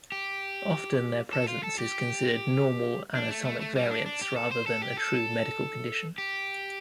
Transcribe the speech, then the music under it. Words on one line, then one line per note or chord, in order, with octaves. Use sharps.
Often their presence is considered normal anatomic variance rather than a true medical condition.
G4
A4
F4
A4
G4
D4
A3
A3
A3
G3
D4
D4
G4
A4
C5
A4
G4
A4
G4